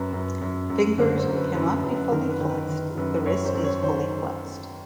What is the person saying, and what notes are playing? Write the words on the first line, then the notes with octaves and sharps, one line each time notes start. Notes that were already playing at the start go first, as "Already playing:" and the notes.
Fingers cannot be fully flexed if the wrist is fully flexed.
Already playing: F#2 B4
F#2
F#2
F#2
D3 C5
C5
F#2
B4
F#2 B4
F#2
B4
D#3 A#4
B4
D#3
B4
D#3
F#2 B4
F#2 C#5
C5
F#2
C#5
D#3 C5